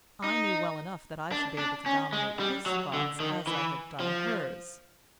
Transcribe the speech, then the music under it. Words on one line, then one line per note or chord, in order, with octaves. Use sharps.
I knew well enough that I should be able to dominate his thoughts as I had done hers.
D#4
D4
D4
C#4
G#3
G3
F#3
D3
D#3
E3
F3